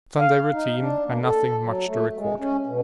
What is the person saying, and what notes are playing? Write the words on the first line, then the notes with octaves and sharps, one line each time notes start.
Sunday routine and nothing much to record.
F5
D#4
D4
A#3
A4
F#3
A3
G#3
C#4
B2